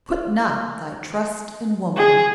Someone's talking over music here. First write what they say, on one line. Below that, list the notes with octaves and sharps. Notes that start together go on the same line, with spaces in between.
Put not thy trust in woman!
G#4